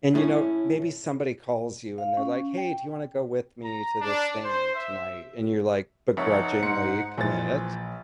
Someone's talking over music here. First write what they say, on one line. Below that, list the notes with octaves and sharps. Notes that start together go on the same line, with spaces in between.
and, you know, maybe somebody calls you and they're like, "Hey, do you wanna go with me to this thing tonight?" and you're, like, begrudgingly commit,
A2 A3 C#4 E4
F5
C#4
G5
A#5
D4
C5
E5
F1 D#4 C#5 E5 F#5
G#2 C#7
A#1 E3 C5 A6